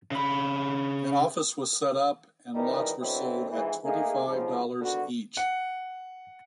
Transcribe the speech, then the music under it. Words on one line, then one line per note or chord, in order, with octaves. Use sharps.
An office was set up and lots were sold at twenty-five dollars each.
C#3 B5
G#1 E3 G3 D#4 A#4
B2 D3 E3 F#3 C4
F2 G#2 E3
A3 A#3 D#4 G#4
F2 G#2 C#3 F3
G#1 D3 B3 F#4
F#5